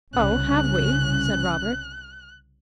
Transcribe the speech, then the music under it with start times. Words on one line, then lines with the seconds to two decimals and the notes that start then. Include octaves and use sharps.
'Oh, have we?' said Robert.
0.14 C2 C#3 C#4 F#6